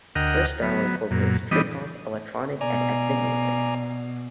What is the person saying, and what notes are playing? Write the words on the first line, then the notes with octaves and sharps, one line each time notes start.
Her style incorporates trip hop, electronic and ethnic music.
D2 A#4 D#5 F#5 G5 F6
F#3 B3
F#2 A#2
E3 G3 B3 D4 D#4 D#5
B2 D5 G#5 A#5